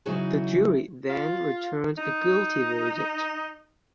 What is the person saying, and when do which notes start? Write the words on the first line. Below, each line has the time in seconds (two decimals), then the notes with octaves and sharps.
The jury then returned a guilty verdict.
0.06 C#3 E3 F#3 D#4 F#4 G#4
1.09 F4
1.98 D#4